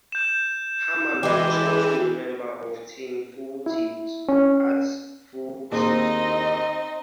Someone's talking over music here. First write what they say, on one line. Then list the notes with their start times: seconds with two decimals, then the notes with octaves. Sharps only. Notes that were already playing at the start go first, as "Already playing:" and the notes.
Harman was also a member of "Team Full Tilt" at Full Tilt Poker.
0.12 G6 E7
1.23 E3 G#3 G4
3.66 E4
4.29 C#4
5.71 D#2 C4 D#4 G#4 C5 D#5